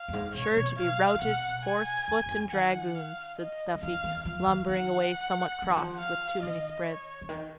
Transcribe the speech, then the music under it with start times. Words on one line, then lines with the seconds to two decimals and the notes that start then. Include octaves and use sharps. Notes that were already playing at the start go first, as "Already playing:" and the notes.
Sure to be routed, horse, foot, and dragoons,' said Stuffy, lumbering away, somewhat cross with too many spreads.
Already playing: F5
0.08 F#2
0.13 G#2
0.35 B2 C#5
0.57 B2
0.78 F5
1.15 C#3
1.21 B2 F#5
1.65 G#5
2.08 F2
2.26 G#2
2.30 F#2
2.45 F3
2.52 D#3 F#5
2.95 F5
3.39 D#5
3.74 F3
3.82 D#3 F5
4.04 D#3
4.25 F3 F5
4.47 D#3
4.69 D#3 F#5
5.62 F3
5.70 D#3
5.77 F3
5.99 F5
6.42 D#3 D#5
6.86 C#5
7.21 C#3
7.29 D#3